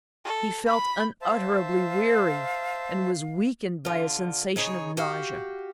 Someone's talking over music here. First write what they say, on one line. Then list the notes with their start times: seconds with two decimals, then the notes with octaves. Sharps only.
He felt unutterably weary, and was weakened by a sensation of nausea.
0.25 A4
0.67 B5
1.22 C5 E5 F5 A5
3.85 D3 F4
4.56 C#3 D#4 G#4 C#5
4.97 F#4 G4 F5